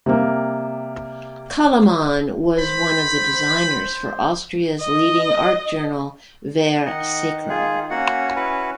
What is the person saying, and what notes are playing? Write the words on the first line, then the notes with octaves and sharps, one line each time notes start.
Koloman was one of the designers for Austria's leading art journal "Ver Sacrum".
C3 G3 A#3
C5 B5
D#5
D#3 D#5 F#5
F4 G#4
A#3 C#4 F#4 F#5
E4 F#4 B4